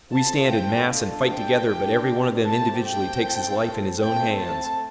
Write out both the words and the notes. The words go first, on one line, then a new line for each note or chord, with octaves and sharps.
We stand in mass and fight together, but every one of them individually takes his life in his own hands.
C4 F4 A4 A5
G5
D4 F4 A4
G5
D4 G4
A3 C4 G4 A5
G5
C4 A4
A3 C4 A4 G5
A5